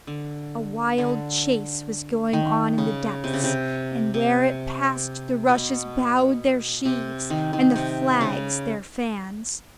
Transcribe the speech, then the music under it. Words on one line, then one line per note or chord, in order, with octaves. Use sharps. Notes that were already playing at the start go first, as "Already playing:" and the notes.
A wild chase was going on in the depths, and where it passed the rushes bowed their sheaves and the flags their fans.
D3
D3
D#3
C#3
C3
C#3
C3
C3
B2
C3
D#3
D#3
C3
C#3